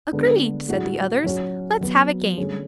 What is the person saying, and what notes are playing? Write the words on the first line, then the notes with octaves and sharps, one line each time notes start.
"Agreed!" said the others, "let's have a game."
D3 G#3 B3 D4
A2 G#3 D4 F#4
F#3 C#4 F#4
F#3 B3 F#4
D3 A3 C#4 G#4